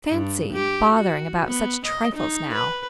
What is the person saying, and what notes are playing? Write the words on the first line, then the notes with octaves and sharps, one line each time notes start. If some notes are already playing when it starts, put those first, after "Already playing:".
Fancy bothering about such trifles now!
G2
G4
F#4
B3
D#5
D#4
B4